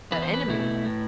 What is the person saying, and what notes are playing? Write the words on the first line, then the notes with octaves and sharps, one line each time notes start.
"Her enemy?"
E2 B4
C5
B4
B2 A3 E4
A2